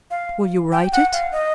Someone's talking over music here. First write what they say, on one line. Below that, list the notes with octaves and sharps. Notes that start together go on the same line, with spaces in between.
"Will you write it?"
F5
G5
F#5
F5
D#5